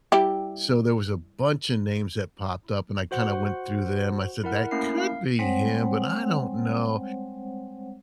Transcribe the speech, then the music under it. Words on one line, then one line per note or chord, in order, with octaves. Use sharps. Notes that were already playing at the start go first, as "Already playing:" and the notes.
so there was a bunch o' names that popped up and I kinda went through them. I said, "That could be him, but I don't know,"
G3 E4 G4
F#4 C5 F#5
E4 A#4 F#5 F6
A3 A#3 C#4 E4 A#4 C7
F5
G3 G#3 C4 C5 C#5 F#5